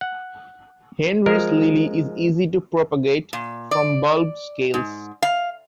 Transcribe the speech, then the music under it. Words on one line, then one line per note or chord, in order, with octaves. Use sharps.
Henry's lily is easy to propagate from bulb scales.
F#5
F3 G#3 A#4
A#2
D5
G#2
F5